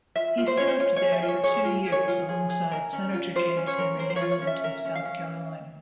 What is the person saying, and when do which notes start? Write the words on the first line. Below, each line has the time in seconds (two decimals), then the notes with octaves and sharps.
He served there for two years alongside Senator James Henry Hammond of South Carolina.
0.16 F4 E5
0.37 F4
0.48 C5
0.57 F4 C#5
0.67 C5
0.79 F4 C#5
0.96 C#5
1.02 G#4
1.12 E5
1.22 F4
1.28 C#5
1.43 G#4 C#5
1.65 F4
1.86 G#4
1.92 C#5
2.08 F4
2.29 G#4
2.50 G#4
2.71 A#4
2.93 C#4
3.14 F4
3.35 F4 C5
3.57 C#4
3.67 C#5
3.79 A#4
3.99 A#4 C5
4.10 C5
4.16 C#5
4.21 F4
4.31 C#5
4.42 C#4
4.47 E5
4.64 A#4 E5
4.85 C#4
4.95 F5
5.05 C#4